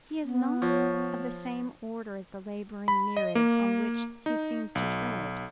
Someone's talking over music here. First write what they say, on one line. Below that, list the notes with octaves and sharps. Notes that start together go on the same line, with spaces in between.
He is not of the same order as the labouring myriads on which he seems to tread.
B3
F3 C#5
B5
D#5
A#3
D#4
B1